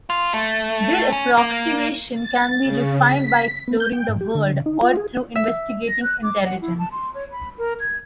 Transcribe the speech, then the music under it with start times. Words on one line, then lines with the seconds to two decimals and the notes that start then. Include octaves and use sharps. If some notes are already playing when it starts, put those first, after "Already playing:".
Their approximation can be refined by exploring the world or through investigating intelligence.
0.10 F4
0.34 A3
1.12 C#4
1.38 A#3
2.14 A6
2.62 C#3
3.02 B6
3.68 B3
3.80 G6
3.93 G5
4.09 G#2
4.21 G4
4.35 D3
4.53 C#3
4.66 D#4
4.83 F4
4.97 G#4
5.35 E5
5.88 A#6
6.03 F#6
6.23 D6
6.45 F#5
6.62 E4
6.79 A5
6.92 C6
7.15 C#5
7.32 B5
7.58 A#4
7.80 G#6